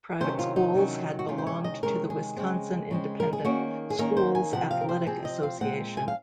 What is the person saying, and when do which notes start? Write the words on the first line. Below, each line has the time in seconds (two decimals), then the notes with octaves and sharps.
Private schools had belonged to the Wisconsin Independent Schools Athletic Association.
0.20 C3 D#3 F#3 C#4 C5
0.39 F4
0.56 D#4
0.75 C3 D#3 F#3 C#4
1.19 F#4
1.28 C3 D#3 G#3 C#4 F4
1.38 C5
1.47 C#5
1.64 D#5
1.83 C3 D#3 G#3 C#4 A#4
2.10 G#4
2.37 C#3 G#3 C4
2.91 C#3 G#3 C4
3.20 A#4
3.33 G#4
3.45 D#3 A#3 C#4 F#4
3.90 G#4
3.99 D#3 A#3 C#4 A#4
4.17 C5
4.35 G#5
4.53 C3 F3 C4 F#5
4.71 F5
4.81 A#4
4.89 C5
5.06 C3 F3 C4 G#4
5.25 D#5
5.43 F5
5.60 A#2 G#3 C4 F#5
5.97 G#5
6.08 F5